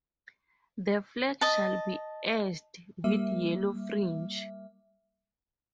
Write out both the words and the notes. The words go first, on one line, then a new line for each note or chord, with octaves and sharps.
The flag shall be edged with yellow fringe.
D#5 A5
G3 A#3 E5